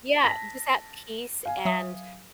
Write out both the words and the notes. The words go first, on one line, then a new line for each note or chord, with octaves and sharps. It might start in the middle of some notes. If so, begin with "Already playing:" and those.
yeah, just at peace and
A5 A#6 B6
F5 G#5
F#3 E5 D#6